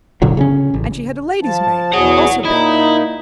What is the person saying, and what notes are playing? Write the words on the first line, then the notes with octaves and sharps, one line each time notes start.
And she had a lady's maid, also big.
F#1 A#2 D3 F#3
C#3 C4 C#4
A1
F3 A5
E2 B2 G#4 C#5 F#5
A#2 D#4 E4